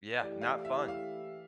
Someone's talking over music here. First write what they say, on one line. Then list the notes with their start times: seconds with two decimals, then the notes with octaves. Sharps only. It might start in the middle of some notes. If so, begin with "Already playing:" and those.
Yeah, not fun.
0.19 E3 A3 E4 G4 D5
0.41 F5
0.65 E5
0.88 F5